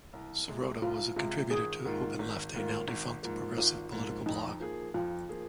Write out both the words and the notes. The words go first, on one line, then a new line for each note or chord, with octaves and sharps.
Sirota was a contributor to OpenLeft, a now-defunct progressive political blog.
C2
C3 G#3
C2 F4
C3 G#3 F4
G#1 G#4
G#2 D#3 A#3 F4
G#1
G#2 D#3 A#3 F4
G#1
G#2 F3 A#3
G#1 F4
G#2 F3 A#3
F2 D#4
F3 A#3 G#4
F2 F4
F3 A#3 G#4